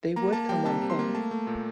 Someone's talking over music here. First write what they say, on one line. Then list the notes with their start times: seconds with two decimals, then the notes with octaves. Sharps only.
They would come on foot.
0.16 A#3 A#5
0.33 A#3 A5
0.49 G3 G5
0.65 C3 A5
0.82 C3
0.90 C6
0.99 A#3
1.15 A3 A5
1.31 A3
1.47 A#2